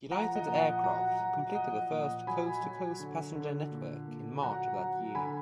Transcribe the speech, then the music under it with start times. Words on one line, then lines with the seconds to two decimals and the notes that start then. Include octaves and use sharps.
United Aircraft completed the first coast-to-coast passenger network in March of that year.
0.11 F3 F#5 A#5
0.36 D#5 F#5
0.47 A#2
0.59 D#5 F#5
0.83 F#3 F#5 A#5
1.20 F#3
1.55 F3 D#5 F#5
1.92 A#2
2.27 F#3 G#5 B5
2.63 F#3
3.00 D3
3.35 D3
3.71 A#2
4.08 A#2
4.43 F#3 F#5 A#5
4.79 F#3
5.15 D3 G#5 B5